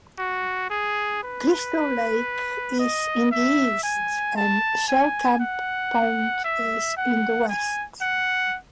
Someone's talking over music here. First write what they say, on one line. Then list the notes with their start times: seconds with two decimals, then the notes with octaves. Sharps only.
Crystal Lake is in the east, and Shellcamp Pond is in the west.
0.18 F#4
0.70 G#4
1.23 B4
2.79 D#5
3.32 E5
3.83 G#5
4.36 A5
4.88 G#5
5.40 F#5
6.44 E5
6.97 F#5
7.49 G#5
8.01 F#5